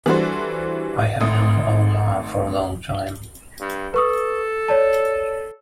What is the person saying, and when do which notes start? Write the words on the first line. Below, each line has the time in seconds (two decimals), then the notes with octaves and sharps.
I have known Omar for a long time.
0.06 E3 G3 D4 F#4 A4 C5
1.21 G#1 A3 D#6
3.61 G2
3.94 A4 B4 C#6 D#6
4.68 C#5 D5 A5